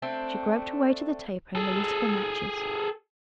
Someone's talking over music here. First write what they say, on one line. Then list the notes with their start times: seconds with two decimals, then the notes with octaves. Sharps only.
She groped her way to the taper and the lucifer matches.
0.02 A3 C4 D4
1.55 G#4 A4